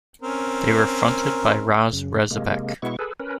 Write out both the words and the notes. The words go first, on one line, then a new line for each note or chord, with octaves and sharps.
They were fronted by Rozz Rezabek.
C4 C#4 A#4
F#2 C#3
C3 G#3 A#3
B2 G#3 B3 E4 C#6
G#4 A4 B4
C#4 A#4 B4